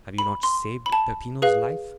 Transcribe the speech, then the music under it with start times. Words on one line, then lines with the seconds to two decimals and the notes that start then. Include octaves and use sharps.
"Have you not saved Peppino's life?"
0.18 B5
0.43 C6
0.86 B5
0.92 A5
1.42 G#4 B4 F5